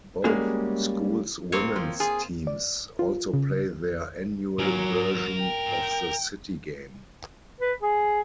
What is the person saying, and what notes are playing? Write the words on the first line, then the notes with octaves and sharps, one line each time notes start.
Both schools' women's teams also play their annual version of the City Game.
G3 G#3 A#3 C#4 F#4 G#4
A#3 C4 C#5
F3
F4 G#4
D5
F4
C#3
F#3 A#4 G#5
G5
B4
G#4